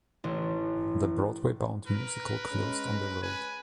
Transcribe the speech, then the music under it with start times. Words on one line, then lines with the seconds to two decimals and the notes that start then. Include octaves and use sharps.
The Broadway-bound musical closed on the road.
0.24 A1
1.87 A#4 B4
2.51 G#3 C#4
3.23 B4 G#5